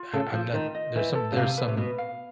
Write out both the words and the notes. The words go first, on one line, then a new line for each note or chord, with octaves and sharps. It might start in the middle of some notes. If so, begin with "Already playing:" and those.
uh, I'm not there's some there's some,
Already playing: F4
C#3 A4
F3 C5
D#3 F4
D#5
E3 C5
A4
C#3
C3 F5
B4
C3
B2 B4
F5